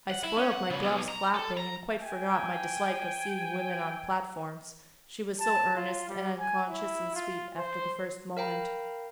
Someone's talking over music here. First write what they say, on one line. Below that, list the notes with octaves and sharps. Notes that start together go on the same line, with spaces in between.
I spoilt my gloves clapping, and quite forgot my dislike of seeing women on platforms, she was so earnest and unconscious and sweet after the first moment.'
F#5
E4
C#4
F#5
C#3
B1
A#5
A4
A#5
G5 G#5
A5
F4
G3
G#5
E4
F4
C5
A#4 F5 G5 A#5 B5